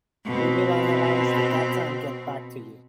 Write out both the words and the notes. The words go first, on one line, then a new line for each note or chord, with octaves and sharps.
We will analyze the data and get back to you.
B2 C4